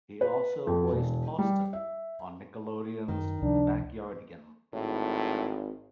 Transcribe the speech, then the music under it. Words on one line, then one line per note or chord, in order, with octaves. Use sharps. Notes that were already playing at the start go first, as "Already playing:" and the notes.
He also voiced Austin on Nickelodeon's "The Backyardigans".
B4
F2
E1
G3
E5
F#2 D#3
C#2 C3 F3 D4
G#1 A2